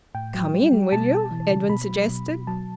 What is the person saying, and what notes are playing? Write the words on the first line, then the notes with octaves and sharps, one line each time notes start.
"Come in, will you?" Edwin suggested.
A2 G5
F#3
G3
G3
B2 A5
B2
E3
C#3
B2 B5
F#3
B2
B2
F#3 A5